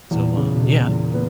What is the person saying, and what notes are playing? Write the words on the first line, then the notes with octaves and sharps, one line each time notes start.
So, um, yeah.
E2 A#2
C#3
B2
C#3
E2 A#2
B3